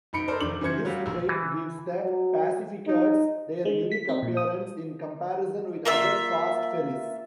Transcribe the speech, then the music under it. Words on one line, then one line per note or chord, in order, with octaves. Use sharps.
This trait gives the PacifiCats their unique appearance in comparison with other fast ferries.
F#1 D#4 B5 C#7 D7
A4 A#4 C5 D5
F1 D#3 D6 F#7
F#2 D#3 E3 C5 G#6 C#7
F#3 G3 F4 G4
A#1
E3
F#3
D#4
G#3
B6
C4
A#2
D#6
A#3 F4 E5